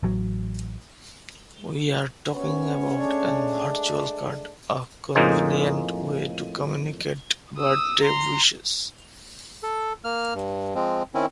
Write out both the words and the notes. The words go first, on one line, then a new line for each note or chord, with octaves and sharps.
We are talking about an virtual-card, a convenient way to communicate birthday wishes.
A1 F#3
D2 C3 B3 C#4 C#5
G#3 A3 D4
F2 A2 A#3 D#4 G#4 C5
D#6 E6
A#5 C6
A4
A#3 F6
G2
F3 G#3 C4
D#3 C4 C#4 E4